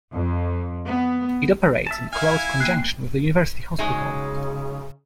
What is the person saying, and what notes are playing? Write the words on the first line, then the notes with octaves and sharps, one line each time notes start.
It operates in close conjunction with the university hospital.
F2
B3
E5 A5
E4 F5 G#5
A#3 G5 F#6 C7
C#3 F#3 G#3 D#4